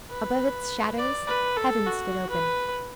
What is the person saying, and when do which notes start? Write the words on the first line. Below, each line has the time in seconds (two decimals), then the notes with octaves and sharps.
Above its shadows heaven stood open.
0.11 B4
0.98 D5
1.28 B4
1.57 A4
1.87 F#4
2.30 B4